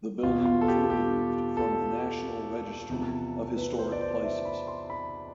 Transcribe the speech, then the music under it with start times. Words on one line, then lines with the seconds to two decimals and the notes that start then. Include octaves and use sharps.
The building was removed from the National Register of Historic Places.
0.23 E2 B2 F4
0.45 F4
0.61 A4
0.68 G4
0.90 G4
1.57 A4
2.89 E2 C3 F3
3.56 B4
3.78 C5
3.92 D5
4.01 C5
4.23 E5
4.45 B5
4.67 C6
4.90 B5